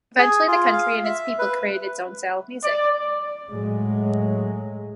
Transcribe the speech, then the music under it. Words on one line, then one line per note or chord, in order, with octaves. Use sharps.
Eventually the country and its people created its own style of music.
G#4
F4
F5
E5
B4
D5
A2 F#3 G#3